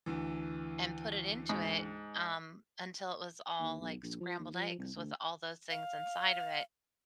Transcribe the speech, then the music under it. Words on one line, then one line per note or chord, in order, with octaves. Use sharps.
and put it into it, um, until it was all like scrambled eggs with all those things inside of it.
D2 E3
G#2
D#2
B1
A#1
F3
D#2
F3
C2
D2
F5